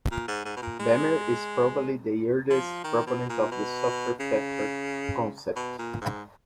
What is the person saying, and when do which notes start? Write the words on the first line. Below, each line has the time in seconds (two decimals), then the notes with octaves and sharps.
Bemer is probably the earliest proponent of the Software Factory concept.
0.11 A#2
0.28 G#2
0.45 G#2
0.56 B2
0.62 A#2
0.79 G#3
2.50 F3
2.84 D#3
3.07 B2
3.29 A#2
3.51 B2
4.20 C#3
5.56 B2
5.79 A#2
6.02 G#2